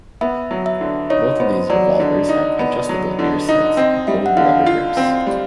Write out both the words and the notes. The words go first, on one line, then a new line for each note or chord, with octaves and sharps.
Both of these revolvers have adjustable rear sights and Hogue rubber grips.
B3 E5
F#3
E5
D3
D#4 C#5
B3 C5
F#3 D5
D3
D#4
B3
F#3
D3
D#4
C4 D#5
G3 E5
F#5
D3 F5
F4
C4
G3